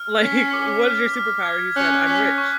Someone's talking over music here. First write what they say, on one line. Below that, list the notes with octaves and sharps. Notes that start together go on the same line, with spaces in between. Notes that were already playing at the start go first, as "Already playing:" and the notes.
like, "What is your superpower?" he said, "I'm rich."
Already playing: F6
C#4 B6
D6
F6
F6
G#6
C#4 F#6
C#4 B6
C#6